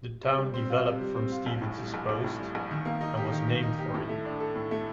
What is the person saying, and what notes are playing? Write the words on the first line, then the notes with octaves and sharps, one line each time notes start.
The town developed from Stevens's post and was named for him.
C3
G3
C4
F4
C3
G3
C4
F4
A#1
A2
G3
A#1
A#1
A2
G3
A#1
D#3
A#3
D#4
G4
D#3
A#3
D#4
G4
A2
A3
D4
A4
A2
A3